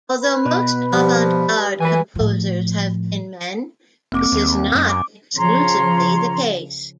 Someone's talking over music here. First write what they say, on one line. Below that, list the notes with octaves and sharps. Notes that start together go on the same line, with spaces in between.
Although most avant-garde composers have been men, this is not exclusively the case.
B4
B2
G2 F3 G3
F#2 E3 B4 G#5
A2 F3
F1 A#3 C4 D6
D#2
F#2
D6
C#3 F3 C#5 A#5 C6